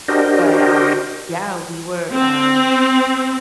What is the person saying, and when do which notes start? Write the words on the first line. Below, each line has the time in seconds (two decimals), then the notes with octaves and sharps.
But, um, yeah, we were um,
0.08 D4 F#4 G4 A#4 C5 D#5
2.14 C4